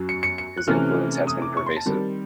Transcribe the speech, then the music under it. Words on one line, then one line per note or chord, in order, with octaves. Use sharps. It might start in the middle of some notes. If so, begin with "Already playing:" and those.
His influence has been pervasive.
Already playing: F#2 F#3
C#7
C#7
C#7
F#6
C3 E3 A3 C#4 F6
D#6
D6
C#6
C6
A5
D#3 G3 C4